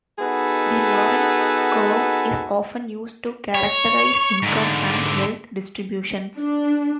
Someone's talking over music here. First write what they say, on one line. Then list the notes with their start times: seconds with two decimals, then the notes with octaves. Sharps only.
The Lorenz curve is often used to characterize income and wealth distributions.
0.19 B3 D#4 F#4 G#4 A4 B4
3.55 C#5
4.42 G#2 D3
6.39 D4